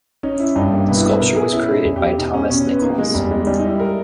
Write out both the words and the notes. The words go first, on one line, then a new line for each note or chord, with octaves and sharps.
The sculpture was created by Thomas Nicholls.
C#4 D#4
E4
G2 D#4
A#3
B2 B3
E4
D#4
B2 A#4
G#4
C#4 E4
D#4
E2
G4
B2 D#4
C#4
B2 C#4
B3
A#3 D#4
G#3
E2 G3
G#3
G3 D#4
D#4
E4
A#4